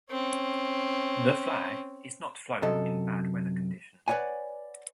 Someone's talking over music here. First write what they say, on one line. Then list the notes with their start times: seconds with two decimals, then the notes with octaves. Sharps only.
The flag is not flown in bad weather conditions.
0.11 C4 C#4
2.62 F#2 C3 A4 D#5
4.08 B4 C#5 D5 F#5 G#5